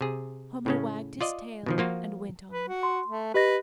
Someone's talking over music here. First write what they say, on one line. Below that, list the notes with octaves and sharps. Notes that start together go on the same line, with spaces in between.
Homo wagged his tail, and went on.
C3 G#4
A2 C#3 C#4
F4 D5 D#5
B2 D#3 F3
F3 A#3 F4 F#4
B4
F#4
C6
A3
G4 B4 D#5 A#6